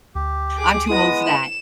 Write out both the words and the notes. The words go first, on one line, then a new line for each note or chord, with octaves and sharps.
I'm too old for that.
D2 G4
G#4 D6
G#3 B3 E4 B4 D#6 A#6
E7